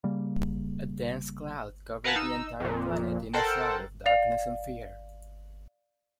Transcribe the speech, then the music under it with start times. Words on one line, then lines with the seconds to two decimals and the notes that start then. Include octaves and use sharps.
A dense cloud covered the entire planet in a shroud of darkness and fear.
0.04 C#3 G3 A#3
2.04 A#4 B4 F5 F#5 G#5 A5
2.16 D#4 E6
2.60 F2 A#2
3.33 A4 A#4 C5 F#5 G5 A5
4.06 D5 F5 F7